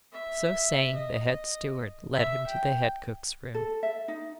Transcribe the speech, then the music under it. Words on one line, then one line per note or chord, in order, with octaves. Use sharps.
So saying, the head steward led him to the head cook's room.
E5
D#5
E5
G5
A4
E5
D#4